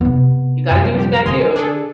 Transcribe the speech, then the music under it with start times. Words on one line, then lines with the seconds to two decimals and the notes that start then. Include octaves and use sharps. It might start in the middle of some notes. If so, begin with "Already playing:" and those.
You gotta do what you gotta do.
0.01 C3 B3
0.71 F#2 A#2 F3
0.94 C2 G4
1.26 D3 D#5 G#5 C6
1.56 D4 G#4 A4